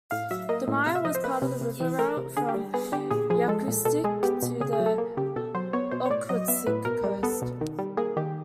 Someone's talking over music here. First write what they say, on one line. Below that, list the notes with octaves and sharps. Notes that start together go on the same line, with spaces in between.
The Maya was part of the river route from Yakutsk to the Okhotsk Coast.
A2 F5
F#3 E5
A#3 D#5
A2
C3 F5
E5
F3 D#5
C5
A#3 B4
C3
C3
E3
A3 A#4
C3
D3 G#4
G4
G3
B3 G#4
D3 G4
A#2 G#4
F3 G#4
G#3 A4
A#2
B2 A4
G#3 G#4
B3 G4
B2
C#3 G#4
G#4
F#3
A4
A#3
C#3 G4
B2 A4
F#3 C5
B3 C#5
B2 C5
C#5
A2 D5
F#3 D#5
B3 E5
A2 B4
B2 A#4
G3
B3 A4
B2
D#3
G3
A#3 G#4
D#3 G4